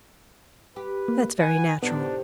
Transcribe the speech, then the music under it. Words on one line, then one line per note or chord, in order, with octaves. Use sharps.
That's very natural.
G4 B4
A#3
B4 F#5 G#5
A2 C3 D#3 B3 D4